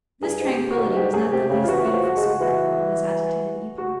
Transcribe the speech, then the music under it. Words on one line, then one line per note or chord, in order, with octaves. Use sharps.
This tranquillity was not the least beautiful spectacle of this agitated epoch.
G2 G#4
G#2
G4
F#4
A2
G2
G#2 G4
F#2 G#4
C3 G4
C#3 G4
F4
E3 F#4
F#4
F3
F#4
G#3
F#4
E3 F#4
F#4